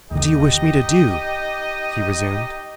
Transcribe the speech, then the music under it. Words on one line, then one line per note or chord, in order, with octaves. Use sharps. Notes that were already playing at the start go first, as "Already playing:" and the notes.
"What do you wish me to do?" he resumed.
D#2 D3 D#4 G4 D#5